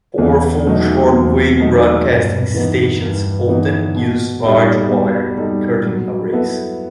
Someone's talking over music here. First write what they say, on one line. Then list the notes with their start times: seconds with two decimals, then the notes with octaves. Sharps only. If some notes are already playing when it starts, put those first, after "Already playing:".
Powerful shortwave broadcasting stations often use large wire curtain arrays.
0.18 E2
0.66 B2 F#3 A3 D#4
1.13 E2
1.60 B2 F#3 A3 D#4
2.07 G2
2.54 E3 B3 D#4
3.02 G2
3.49 E3 B3 D#4
3.96 B2
4.43 G3 D#4 A4
4.90 B2
5.37 G3 D#4 A4
5.86 F#3
6.33 B3 E4 A4